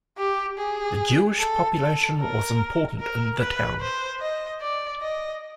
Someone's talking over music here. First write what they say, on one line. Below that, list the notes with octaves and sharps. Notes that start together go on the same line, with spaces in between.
The Jewish population was important in the town.
G4
G#4
A4
A4
A#4
A#4
B4
C5
D#5
D5
D#5